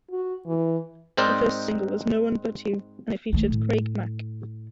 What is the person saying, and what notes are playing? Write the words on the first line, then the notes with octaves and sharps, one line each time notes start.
The first single was "No One But You" and it featured Craig Mack.
F#4
E3
G#2 C4 D#4 A#4 C5 D5
D#3 A3
A2